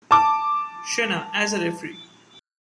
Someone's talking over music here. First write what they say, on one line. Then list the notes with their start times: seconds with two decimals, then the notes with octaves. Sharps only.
Shena as a referee.
0.11 A5 D6